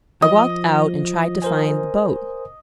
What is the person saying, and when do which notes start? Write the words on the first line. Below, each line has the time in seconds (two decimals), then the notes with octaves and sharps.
I walked out and tried to find the boat.
0.22 F3 D#5
1.42 A#4 C5 G#5